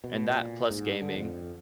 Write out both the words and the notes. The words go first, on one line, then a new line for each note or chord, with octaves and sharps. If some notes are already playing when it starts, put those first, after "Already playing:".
and that plus gaming.
B2
A#2
G#2
D3
F2